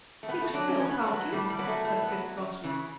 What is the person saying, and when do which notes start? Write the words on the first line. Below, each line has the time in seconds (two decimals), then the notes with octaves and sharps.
"Keep still, can't you?" said Kit crossly.
0.23 A3
0.28 A2 B3
0.42 A3
0.54 F#3 D4
0.68 C#4
0.80 A2 C#4
0.91 B3
1.02 F#3 A3
1.13 B3
1.32 A2 G3
1.50 G3
1.58 F#3 B3
1.68 A3
1.84 A2 A3
2.02 B3
2.10 F#3
2.37 F#2
2.64 C#3 E3